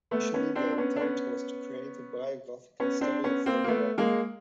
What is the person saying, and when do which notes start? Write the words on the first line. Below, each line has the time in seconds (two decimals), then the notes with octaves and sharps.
Initially, the intent was to create a biographical story of Freddie Mercury.
0.11 A3 B3
0.34 B3 C#4
0.55 C4 D4
0.72 D4
0.78 B3 C#4
0.96 D4
1.00 B3 C#4
2.80 B3 C#4
3.01 C4 D4
3.24 B3 C#4
3.46 A#3 C4
3.64 A#3
3.68 A3 B3
3.98 G#3 A#3